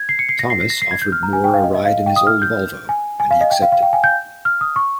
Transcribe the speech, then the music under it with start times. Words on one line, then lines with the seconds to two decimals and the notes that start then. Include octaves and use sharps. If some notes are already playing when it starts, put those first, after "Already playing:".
Thomas offered Moore a ride in his old Volvo and he accepted.
Already playing: G#6
0.09 C7
0.19 C#7
0.29 C7
0.39 A#6
0.50 C7
0.60 C7
0.70 A#6
0.82 C7
0.91 G#6
1.02 G6
1.12 F6
1.23 A#5
1.33 G#5
1.44 G5
1.54 F5
1.64 D#5
1.75 D#5
1.85 F5
2.06 G5
2.16 D#6
2.27 F6
2.42 G6
2.89 G#5
3.20 G#5
3.31 F5
3.41 D#5
3.51 G5
3.62 F5
3.72 F5
3.82 G5
3.93 G#5
4.04 G6
4.45 F6
4.61 D#6
4.76 C#6